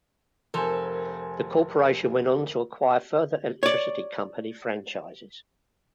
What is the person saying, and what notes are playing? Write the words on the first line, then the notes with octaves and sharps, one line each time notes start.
The corporation went on to acquire further electricity company franchises.
F1 A4 A#4 C5 G#5
C#5 D5